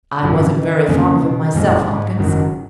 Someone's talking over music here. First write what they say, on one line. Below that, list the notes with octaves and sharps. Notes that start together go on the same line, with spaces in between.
"I wasn't very fond of him myself, Hopkins."
G#1 F#2 C#3 F3
D#3
F2 C#3 F3 A#3 C#4
B2
F#1 F2 A#2 F3 G#3
G#2
F#1 F#2 D#3 F#3